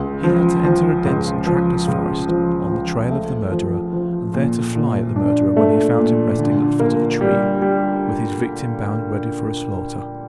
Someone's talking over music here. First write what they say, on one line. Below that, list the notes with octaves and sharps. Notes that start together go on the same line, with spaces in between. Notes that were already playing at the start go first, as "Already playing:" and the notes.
He had to enter a dense and trackless forest, on the trail of the murderer, and there to fly at the murderer when he found him resting at the foot of a tree, with his victim bound ready for slaughter.
Already playing: C#2
F3
F3
C#2
F3
C#2
F3
F3
A3
F3
F3
A#2
A#2
D4
A3
A#2
D3
A#3
G3
G3